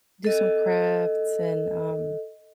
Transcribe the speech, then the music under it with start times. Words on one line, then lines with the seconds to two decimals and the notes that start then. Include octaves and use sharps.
do some crafts and, um,
0.24 A4 D#5